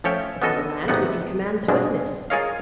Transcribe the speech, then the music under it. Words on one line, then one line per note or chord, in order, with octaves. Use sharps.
On the land we can command swiftness.
F3 A3 C#4 C#5 E5 G5
B3 C#4 F#4 A4 D#5
G#1 C3 A3 B3 D#4 F#5
G2 B2 G#3 D4
F4 G#4 A#4 C#5 D#5 F5